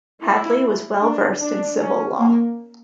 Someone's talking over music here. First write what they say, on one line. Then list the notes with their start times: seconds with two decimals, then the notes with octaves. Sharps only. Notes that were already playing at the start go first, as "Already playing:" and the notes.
Hadley was well versed in civil law.
0.24 E4
1.02 D4
1.42 D4
1.81 C#4
2.19 A#3